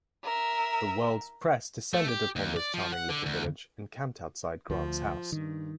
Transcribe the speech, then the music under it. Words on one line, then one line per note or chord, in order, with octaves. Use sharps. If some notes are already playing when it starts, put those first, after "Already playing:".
The world's press descended upon this charming little village and camped outside Grant's house.
A#4 E5
A3
G4
D#2
D5
F3
F#5
D3
D2
D2 F3
G2 D#3